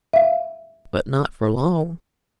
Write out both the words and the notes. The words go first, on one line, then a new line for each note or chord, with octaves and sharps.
But not for long.
E5 F5